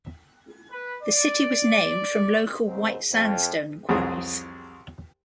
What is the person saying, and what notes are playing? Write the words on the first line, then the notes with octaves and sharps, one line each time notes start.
The city was named from local white sandstone quarries.
B4
D5
D#2 G#2 C#3 C4
F2
C2 F2 F#3 G#4 D#6